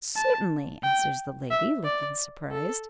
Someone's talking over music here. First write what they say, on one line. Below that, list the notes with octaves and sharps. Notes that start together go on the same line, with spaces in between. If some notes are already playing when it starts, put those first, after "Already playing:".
"Certainly!" answers the lady, looking surprised.
A5
G5
E5
D5
A4